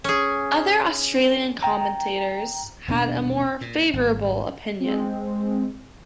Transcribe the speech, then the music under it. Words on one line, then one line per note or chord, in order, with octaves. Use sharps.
Other Australian commentators had a more favourable opinion.
C#4 G#4
G5 A#5
D#1 B2 D4
A#2
G#1
G#3 C4